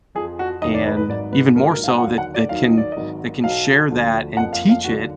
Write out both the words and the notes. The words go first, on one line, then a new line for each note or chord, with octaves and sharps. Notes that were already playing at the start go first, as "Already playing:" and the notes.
and even more so that that can that can share that and teach it,
F2 F3 G#4
F#4
F1 D#2 D#3 F#3 D#5
D5
B4
B4
G#1 G#2 F#3 D5
B4
A#1 G#2 F#3 A#4
A#4
F5
F#5
F#5
D#2 D3 F#3 F5
F#5
D5
D#2 D#3 F#3 F5
D#5
D5
G#1 G#2 D#3 F#3 D#5
B1 B2 F#3 F5
D2 D3 F3
F#1 F2 F3 F#5
F5
F5
D#2 D3 F#3 F#4